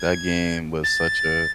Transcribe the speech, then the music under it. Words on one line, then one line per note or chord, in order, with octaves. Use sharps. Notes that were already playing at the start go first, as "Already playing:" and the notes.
That game was such a
Already playing: G#6
A6